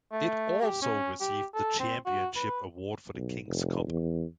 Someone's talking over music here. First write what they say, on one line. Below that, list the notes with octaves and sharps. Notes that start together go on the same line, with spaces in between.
It also received the championship award for the King's Cup.
A3
G4
C#4
G4
A4
C4
F#4
B4
B1
F1
E2